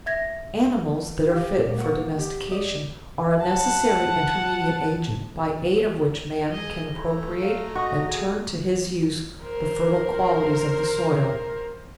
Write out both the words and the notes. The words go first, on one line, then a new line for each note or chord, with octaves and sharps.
Animals that are fit for domestication are a necessary intermediate agent by aid of which man can appropriate and turn to his use the fertile qualities of the soil.
E5 G#6 A#6
G4 F5 G5
A#2 G#3 A#3
F#5 C#6
G4
D5 D#5
F#5 A5
G#4 D#5
A3 E4 A#5
F5
F#4 D#5
G#4
A#4 C5